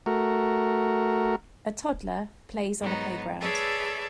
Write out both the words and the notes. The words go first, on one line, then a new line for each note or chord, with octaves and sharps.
A toddler plays on a playground.
A3 F#4 A#4
G#2 F#3 B3 D#4
G#4 A4 B4 C#5 D5 E5